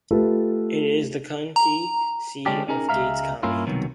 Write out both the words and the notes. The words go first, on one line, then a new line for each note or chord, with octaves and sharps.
It is the county seat of Gates County.
A3 F4 G4 A4 B4
A#5
D3 G#3 C#4 D4 G4
C#4 D#4 G#4 A#4
C#2 G#3 D5 E5 F5 A#5
G2 A#3 C#4 E4 F4
C2 B2 D#3 F#3